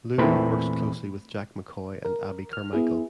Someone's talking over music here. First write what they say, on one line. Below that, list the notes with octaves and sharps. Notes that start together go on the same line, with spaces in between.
Lewin works closely with Jack McCoy and Abbie Carmichael.
E2 A#2 E3 A3 C4 B5
A#4
F6
B3 E4 G#4